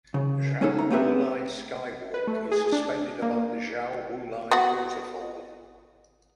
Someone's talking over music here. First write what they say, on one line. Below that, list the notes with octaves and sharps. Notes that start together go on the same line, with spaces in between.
Xiao Wulai Skywalk is suspended above the Xiao Wulai Waterfall.
C#3
G#3 C#4 D#4 A4
A#5
A3 B3 C4 G4 B4 E5
B4
A3
G#4
D4
A#3
B3 F#4 F#5